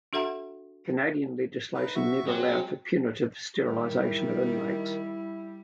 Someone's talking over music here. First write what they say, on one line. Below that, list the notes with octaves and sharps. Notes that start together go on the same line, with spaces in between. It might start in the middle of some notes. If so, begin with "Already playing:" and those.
Canadian legislation never allowed for punitive sterilization of inmates.
D4 F#4 A4 E5 F#5 A#5
D#4 B4
F#4 E5 C#6
F#3 G#3 C4
D#3 G3
E4